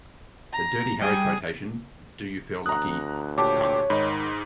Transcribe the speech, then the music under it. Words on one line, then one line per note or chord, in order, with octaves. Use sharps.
The Dirty Harry quotation Do you feel lucky, punk?
A#5
G3 G4 G#4 G5
D2 A#5 D#6 F#6
A#2 G4 C#5 A5 D6
G#2 D#3 D#4 B5